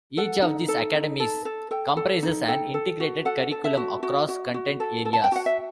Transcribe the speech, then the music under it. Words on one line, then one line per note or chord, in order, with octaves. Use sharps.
Each of these academies comprises an integrated curriculum across content areas.
A4 F#5
D#4
A4
D#4
A4
A4
A4 G5
A4
D#4
A4 G5
A4
F#4
A4 F#5
A4
E5
F#4
F#4
F#4
F#4
A4
A4
A5
G5
F#4 F#5
E5